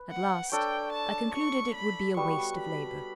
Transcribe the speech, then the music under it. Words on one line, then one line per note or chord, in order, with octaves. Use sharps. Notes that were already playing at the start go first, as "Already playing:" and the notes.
At last I concluded it would be a waste of labour.
Already playing: B4
F#5
D4 A4 C#5 G5
A5
C#6
B5
G3 B3 F#4 C#6
B5